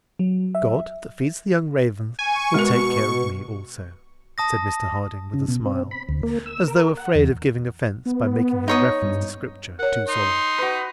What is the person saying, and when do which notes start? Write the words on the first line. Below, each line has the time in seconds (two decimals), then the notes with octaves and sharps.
"God, that feeds the young ravens, will take care of me also," said Mr Harding, with a smile, as though afraid of giving offence by making his reference to scripture too solemn.
0.19 F#3
0.55 E5
2.19 G#5 C#6
2.54 B2 G#3 A#4
4.38 A5 D#6 A#6
5.34 C#3
5.48 B2
5.66 C4
5.91 B5
6.09 D2
6.23 A#3
6.46 E6
6.68 A#4
6.97 F#5
7.15 E2
8.06 B3
8.68 D#4 C#5 D#6
9.02 G2
9.79 A#4 C#5 F#5
10.09 D#4 C6
10.58 F#4 B4